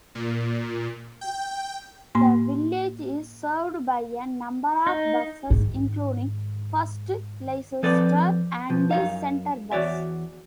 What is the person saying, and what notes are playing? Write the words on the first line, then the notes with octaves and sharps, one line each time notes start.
The village is served by a number of buses including First Leicester and Centrebus.
A#2
G5
A2 A#3 C6
D#4
G#2 D#3
F3 C4 A4 B4 D5
B2 F3
F#2 D#4 F5
E2 F#4 C#5 D5 E5